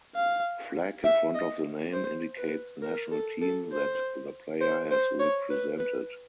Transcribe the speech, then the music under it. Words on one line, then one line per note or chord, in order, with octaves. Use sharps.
Flag in front of the name indicates national team that the player has represented.
F5
E5
D#5
C5
B4
A#4
A4
A4
C5
C5
C5
C#5
B4
B4